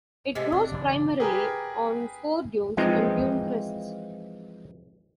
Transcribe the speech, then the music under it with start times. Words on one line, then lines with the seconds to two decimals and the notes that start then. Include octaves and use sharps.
It grows primarily on foredunes and dune crests.
0.35 A2 C3 G#3
0.52 C4 D4
0.72 G2 C#3 E3
1.19 G4 G#4 A#4 B4
2.77 E3 F3 G#3 C4 D#4 F4